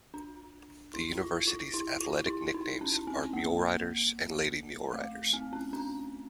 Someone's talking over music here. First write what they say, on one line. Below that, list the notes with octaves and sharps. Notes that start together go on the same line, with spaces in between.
The university's athletic nicknames are Muleriders and Lady Muleriders.
D4
E4
F4
F4
E4
F4
E4
D#4
C#4
C4
A#3
A3
C4
C#4
D4